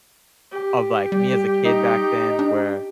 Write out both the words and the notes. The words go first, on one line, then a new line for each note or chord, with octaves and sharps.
of, like, me as a kid back then where
G4
G3
D#4
D4